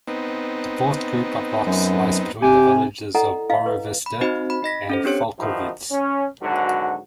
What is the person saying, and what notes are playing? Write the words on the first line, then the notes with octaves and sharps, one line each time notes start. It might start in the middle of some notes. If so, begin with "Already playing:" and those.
The fourth group of rocks lies between the villages of Borovitsa and Falkovets.
B3 C4 D#4
F#2
C3 G4 G#5
E4 A4 D5 D#5 F#5 A#5
E4 D#5 F5
B4
B5
C4 D#4 F#4 C5 D#5
B5
D#4 D#5 A#6 B6
C#4 A4 C5
C4 D4 G4 C#5 C#7
G2 D#3 F3 D#4 E4 F#4
C#4
G#1 G#2 D3 F#3 F#4